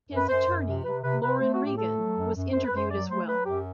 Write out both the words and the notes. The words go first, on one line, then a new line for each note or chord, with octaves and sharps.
His attorney, Lauren Regan, was interviewed as well.
F#2
B4
F#2 C5
F#2
C3
C3 B4
C3 B4
C3 B4
A3 C5
F#4
A2
G4
A3 A4
F#3
F#2
F#2
F#2 C5
B4
F#2 C5
F#3 D5
A3 C5
F#3 B4
F#2 G4